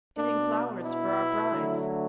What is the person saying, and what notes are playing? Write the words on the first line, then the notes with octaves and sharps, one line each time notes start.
'Getting flowers for "our brides".
B2 B3 D4
E4
D3 F#3 A3